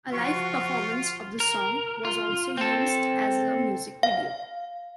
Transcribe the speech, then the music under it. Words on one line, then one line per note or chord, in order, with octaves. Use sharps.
A live performance of the song was also used as a music video.
F3 F4 F#4 C#6
A#4
F4
C4 A4
F5